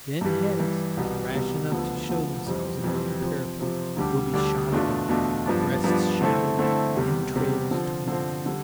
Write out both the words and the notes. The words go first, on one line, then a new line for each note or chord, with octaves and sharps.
Then heads, rash enough to show themselves above the parapet, will be shot away, breasts shattered, entrails torn.
G2 E3 G3
G2 E3 G3
C2 B2 G3 B3
C2 B2 G3 B3
D2 D3 F3 B3
D2 D3 F3 B3
F2 C3 E3 G3 C4
F2 C3 E3 G3 C4
C3 F3 C4
C3 F3 C4
D2 D3 G3 D4 G4
D2 D3 G3 D4 G4
E2 B2 A3 D4 F4
E2 B2 A3 D4 F4
G2 F3 B3 D4
G2 F3 B3 D4
D3 A3 C4 E4 A4
D3 A3 C4 E4 A4
E2 C3 G3
E2 C3 G3
D3 F3 C4
D3 F3 C4
D3 G3